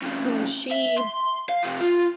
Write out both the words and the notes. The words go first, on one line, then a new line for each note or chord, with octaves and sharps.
who she
F2 C#3
E5
C6
F5
C3 F3
F4